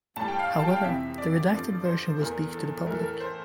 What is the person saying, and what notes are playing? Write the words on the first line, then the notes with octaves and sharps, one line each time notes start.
However, the redacted version was leaked to the public.
A2 G3 A5
G5
F5
A5
G5
F5
F2 C3 E3 E5
D5
G2 F3 A3
C5
E2 E3 A3 A#4
A4
A2 E3 A3 A#4
A4
A#4
C5